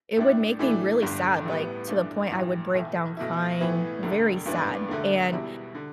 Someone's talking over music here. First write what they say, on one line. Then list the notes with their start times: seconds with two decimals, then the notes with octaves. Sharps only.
It would make me really sad, like, to the point I would break down crying. Very sad, and
0.16 A1 A2 A3 D4
0.59 A2 E3 A3 D4
1.02 G1 G2 D3
1.46 A1 A2 G3 B3
1.88 G2 E3 A3 D4
2.31 A1 G2 E3
2.74 B1 A2 E3 A3
3.17 B1 B2 A3 E4
3.60 A2 E3 B3 E4
4.03 E1 D2 D3
4.46 G2 E3 B3 D4
4.89 E1 D2 D3 A3
5.32 E2 B2 G3 E4
5.75 D3